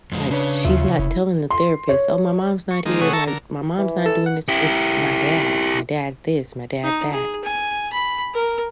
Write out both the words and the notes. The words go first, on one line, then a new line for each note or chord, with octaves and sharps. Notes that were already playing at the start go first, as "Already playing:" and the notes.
Like, she's not telling the therapist, "Oh, my mom's not here. My my mom's not doing this. It's, my dad. My dad, this, my dad that,"
F2 G#3
C#3 D4 B4 C#5
D#2 F4 E5
F1 E4
C6
C#5
C#6
D#3 F3 G#3 A#3 D#4
C3 A3 G#4 C#5 F#5 D#6
A4 E5 A5 A#5 C#6
D3 A#4
E3
A4
F#5
E4 G4
D#4
G#4
G#5
B5
A#4